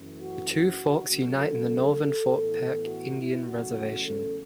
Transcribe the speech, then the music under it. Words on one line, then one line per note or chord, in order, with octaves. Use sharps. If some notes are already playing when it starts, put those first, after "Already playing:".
The two forks unite in the northern Fort Peck Indian Reservation.
Already playing: F#2 E3 A3 C#4
F#4
F#4
C#3 F#3 A3 C#4 F#4
A4
A2 E3 B3
F#4
E4
E2 C#3 F#3 A3 C#4 F#4
A4